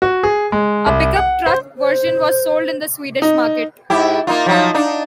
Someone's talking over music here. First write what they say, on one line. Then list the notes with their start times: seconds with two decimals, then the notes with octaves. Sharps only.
A pickup truck version was sold in the Swedish market.
0.02 F#4
0.23 G#4
0.52 G#3
0.86 C2
1.16 F#5
1.46 C5
1.78 C5
3.22 D#4
3.90 G#2 E4 G4
4.27 A#3 D#4 F4
4.46 F3 F#3 D#4
4.74 D4 D#4